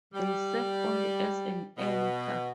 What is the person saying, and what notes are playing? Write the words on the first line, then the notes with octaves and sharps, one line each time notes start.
They serve only as an anchor.
G3
B2